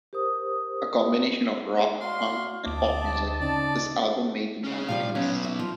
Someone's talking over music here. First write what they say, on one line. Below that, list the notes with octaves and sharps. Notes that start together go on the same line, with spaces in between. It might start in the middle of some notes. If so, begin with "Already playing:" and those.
A combination of rock, punk and pop music, this album made the band famous.
G4 A#4 C5 D#6
F#4 D5 F5 C6
D2 C4 D#5 A5 D6
C#3 C#4 D#4 D5
C#4 G#4
C3 F3 G3 F5
F#3 B3 C#4
E5
F3